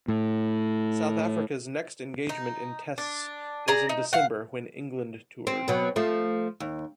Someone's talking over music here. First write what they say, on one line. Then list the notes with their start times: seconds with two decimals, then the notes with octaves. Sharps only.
South Africa's next engagement in Tests was in December when England toured.
0.08 A2
2.29 D#4
2.98 D4
3.68 G#4 D5 A#5
3.89 D#4
4.13 F5 F#5
5.47 C4
5.68 B2 F#3
5.96 F3 A3
6.60 D#2